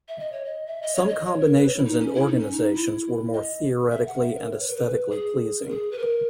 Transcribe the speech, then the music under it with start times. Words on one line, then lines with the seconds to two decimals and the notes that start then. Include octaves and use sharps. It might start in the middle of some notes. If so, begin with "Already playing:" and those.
Some combinations and organizations were more theoretically and aesthetically pleasing.
0.08 E5
0.20 D#5
0.32 C#5
0.45 D#5
0.67 E5
0.82 D#5
0.95 C#5
1.09 D#5
1.26 C#5
1.41 A#4
1.56 B4
1.65 C#5
1.76 E4
1.85 D#4
2.01 C#4
2.15 E4
2.27 D#4
2.39 C#4
2.52 D#4
2.74 E4
3.34 D#5
3.92 E5
4.07 F#5
4.21 E5
4.36 A#4
4.51 C#5
4.59 B4
4.68 A#4
4.75 B4
5.11 G#4
5.62 A#4
5.70 G#4
5.91 B4
5.98 A#4